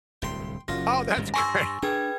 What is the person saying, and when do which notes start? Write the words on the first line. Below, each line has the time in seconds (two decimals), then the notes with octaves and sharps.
Oh, that's great.
0.22 D1 C2 G5 C6
0.68 F#1 F#2 F4 A#6
1.17 G1 G#2 G3
1.34 G2 G#5 A#5 C6 C#6 E6 A#6
1.83 D4 G#4 B4 G5 G#6